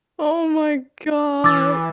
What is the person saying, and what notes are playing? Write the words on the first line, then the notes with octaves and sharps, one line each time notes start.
Oh, my god.
E3 D6 E6 A6